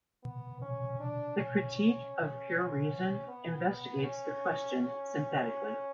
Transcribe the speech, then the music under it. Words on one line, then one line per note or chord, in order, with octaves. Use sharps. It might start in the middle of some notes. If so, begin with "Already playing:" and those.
The "Critique of Pure Reason" investigates this question synthetically.
B3
C#4
D4
C#4
C#4
B3
C#4
C#4